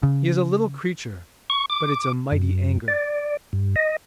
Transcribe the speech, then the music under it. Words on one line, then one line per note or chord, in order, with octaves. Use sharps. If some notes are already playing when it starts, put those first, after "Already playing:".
He is a little creature, but it's a mighty anger.
C#3
C#6
D6
F#2
D5
G2
D#5